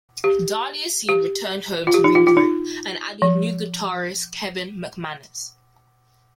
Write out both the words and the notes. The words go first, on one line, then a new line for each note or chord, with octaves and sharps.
Dahlia Seed returned home to re-group, and added new guitarist Kevin McManus.
G4
G4
F4
G4
D#4
F4
F4
D#4
F3